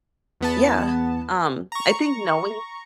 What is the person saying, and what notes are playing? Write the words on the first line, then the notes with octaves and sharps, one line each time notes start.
yeah, um, I think knowing
E2 B3 A5
A#5 C#6